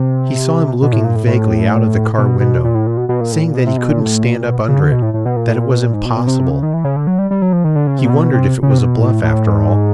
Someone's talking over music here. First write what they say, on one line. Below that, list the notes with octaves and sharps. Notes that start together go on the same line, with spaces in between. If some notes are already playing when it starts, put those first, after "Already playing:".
He saw him looking vaguely out of the car window--saying that he couldn't stand up under it--that it was 'impossible.' He wondered if it was a bluff, after all.
Already playing: C3
B2
A2
A#2
A2
A2
B2
B2
A#2
A2
A#2
B2
B2
A#2
A2
A#2
B2
C3
B2
A#2
A2
A#2
B2
C#3
D3
B2
A2
A2
B2
A#2
A2
A#2
B2
A#2
G#2
B2
A#2
B2
C3
C#3
D#3
E3
C#3
D3
F#3
G3
G3
F#3
F3
D#3
D3
C#3
C3
A#2
B2
C3
C#3
C3
B2
A2
A2
G#2